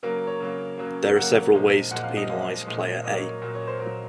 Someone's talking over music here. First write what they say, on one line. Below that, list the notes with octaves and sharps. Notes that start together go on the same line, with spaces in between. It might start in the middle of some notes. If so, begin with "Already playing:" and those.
There are several ways to penalize Player A.
C#3 F#3 A#3 A#4
C#5
C#3 F#3 A#3
C#3 F#3 A#3
C#3 F#3 A#3 F#5
A#2 F3 G#3
A#2 F3 G#3 F#5
F5
D#5
A#2 F3 G#3 F5
A#2 F3 G#3
A#2 F#3 A#3 D#5
C#5
A#2 F#3 A#3
C#5
C5
A#2 F#3 A#3 A#4